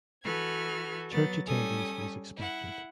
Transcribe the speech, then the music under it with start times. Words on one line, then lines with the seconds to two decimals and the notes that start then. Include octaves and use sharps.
Church attendance was expected.
0.24 E3 F#4 A4 B4 F6 G#6
1.11 F#3 B3 A6
1.46 G3 C#4 A4 G#5 D#6
2.37 E4 F#5